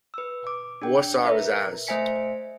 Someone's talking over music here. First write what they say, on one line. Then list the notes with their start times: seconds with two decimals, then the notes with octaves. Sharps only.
Warsaw is ours!
0.14 B4 E6
0.47 D6
0.82 D4 G#4 G5
1.23 A#4 B4 E5
1.87 A3 C5 E5 G#5 B6 C#7